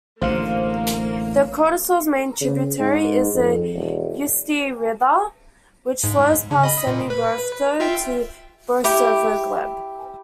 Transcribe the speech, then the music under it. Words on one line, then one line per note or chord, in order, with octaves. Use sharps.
The Kotorosl's main tributary is the Ustye River, which flows past Semibratovo to Borisogleb.
A1 D3 A#3 C5 F5
C#3
G#2
F2
E1
G#2
C#3
D#5 B5
A#2
B4
F4 E5 G5
E4 G4